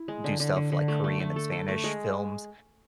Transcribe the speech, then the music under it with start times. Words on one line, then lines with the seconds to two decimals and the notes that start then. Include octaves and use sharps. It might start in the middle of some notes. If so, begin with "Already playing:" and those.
do stuff like Korean and Spanish films.
Already playing: E4
0.08 G#3
0.24 D3
0.40 D3
0.56 D3
0.72 D3
0.88 A3
1.04 A3
1.20 A3
1.36 A4
1.52 A4
1.68 A3
1.84 G#3